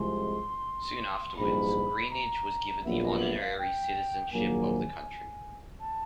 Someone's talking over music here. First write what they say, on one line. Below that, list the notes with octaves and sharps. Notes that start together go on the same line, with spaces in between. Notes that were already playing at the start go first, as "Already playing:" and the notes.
Soon afterwards Greenidge was given the honorary citizenship of the country.
Already playing: C2 C3 F3 G#3 C6
A#1 G#2 E3 G3 B5
A#5
A#1 A#2 F#3 B3 E5
D#5
E5
F5
G5
A#1 G#2 D#3 F#3 A#3 G#5
A5